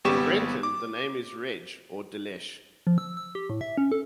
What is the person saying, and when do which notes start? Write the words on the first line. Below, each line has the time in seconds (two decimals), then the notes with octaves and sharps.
In Breton, the name is "reg" or "delech".
0.05 G#1 G3 B3 G4 C#6 E7
0.63 D6
2.87 F3
2.98 E6
3.17 E6
3.35 G4
3.50 A2
3.61 E5
3.77 C#4
3.92 A4